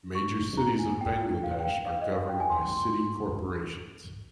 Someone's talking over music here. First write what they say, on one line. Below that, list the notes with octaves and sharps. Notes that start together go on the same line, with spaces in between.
Major cities of Bangladesh are governed by City Corporations.
C#6
A#5
G#5
G5
F5
G5
F5
F5
D#5
F5
G5
G#5
C6
C6